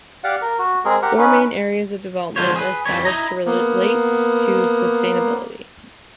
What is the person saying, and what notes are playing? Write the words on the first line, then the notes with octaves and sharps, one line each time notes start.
Four main areas of development were established to relate to sustainability.
G4 D5 F5 F#5
A#4
F#4
G#3 C4 G#4 A#4
G4 A#4 F#5
C#4 D#4 B4
D3 F3 G#3 F4 C5 C#5
G#4 B4
F2 E3 G3 C#5
E4 D#5 A#5
A#3 B3